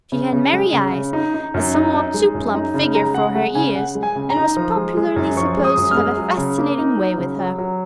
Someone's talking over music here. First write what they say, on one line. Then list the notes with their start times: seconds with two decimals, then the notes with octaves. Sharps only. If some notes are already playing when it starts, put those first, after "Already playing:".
She had merry eyes, a somewhat too plump figure for her years, and was popularly supposed to have a fascinating way with her.
0.12 C#3
0.33 C#3
0.53 G#3
0.73 C#3
0.93 C#3
1.13 D#4
1.34 D#4
1.54 F#2
1.75 D#4
1.94 D#4
2.14 G#3
2.34 F#2
2.54 D#4
2.74 C#3
2.95 G#3 A#5
3.14 C#3 F#5
3.35 G#3 F#5
3.55 C#3 G#5
3.76 C#3 F#5
3.95 G#3
4.03 G#5
4.16 C#3
4.30 A#5
4.36 D#4
4.57 F3
4.76 G#3
4.97 G#3
5.16 F#2
5.37 F3 C#6
5.57 G#3
5.64 D#6
5.77 F#2
5.91 F6
5.97 G#3
6.17 F#3
6.38 C#3
6.58 A#3
6.78 D#4
6.98 F#3
7.18 C#3
7.39 F#3
7.58 F#3